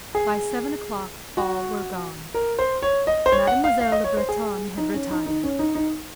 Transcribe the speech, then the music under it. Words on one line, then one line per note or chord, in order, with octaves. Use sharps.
By seven o'clock all were gone. Mademoiselle Le Breton had retired.
G#4
F#4
A#4
C5
C#5
D#5
C5
C#5
F#5
F5
F5
D#5
C#5
C5
G#4
D#4
C#4
D#4
D#4
C#4
D#4
D#4